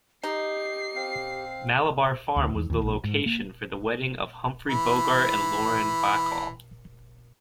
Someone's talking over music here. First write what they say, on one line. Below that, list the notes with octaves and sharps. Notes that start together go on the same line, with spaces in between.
Malabar Farm was the location for the wedding of Humphrey Bogart and Lauren Bacall.
D#4 G4 C7
C4 F5
D2
E2
D#2
A#1
G#2
A#3
E3 B5